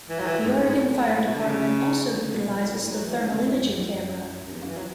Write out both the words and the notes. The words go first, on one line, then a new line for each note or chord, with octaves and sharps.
The Oregon Fire Department also utilizes the Thermal Imaging Camera.
E3
F#3
E3
G#2
A2
G#2
A2
A2
A2
B2
D3
C#3
D3
C#3
B2
B2
A2
B2
A2
G#2
F#3
E3
D3
C#3
B2
A2
F#2
E2
F#2
F#2
E2
F#2
E3
F#3